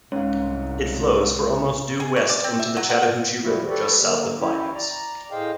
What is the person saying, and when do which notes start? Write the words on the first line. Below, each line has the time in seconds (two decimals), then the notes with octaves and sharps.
It flows for almost due west into the Chattahoochee River just south of Vinings.
0.12 C2 G#2 C#4 C#5 F5
2.00 G#4
2.16 C#5
2.29 D5
2.44 C4
2.59 E5
2.77 F#3
2.89 F#5
3.03 F3
3.42 F3 G3 B3 E4 F#4
3.68 G4 A4 B4 C#5 D5
4.01 D3 A#3
4.39 C#4 E4 G4
4.74 D5 A#5
5.31 A2 G#4 C5 D#5 F5 G5